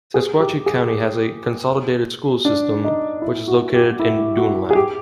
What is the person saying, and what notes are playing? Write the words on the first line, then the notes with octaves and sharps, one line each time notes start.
Sequatchie County has a consolidated school system which is located in Dunlap.
G#4
G4
G#4
D4
D#4
E4
F#4
G4
E4
F#4
G#4
G4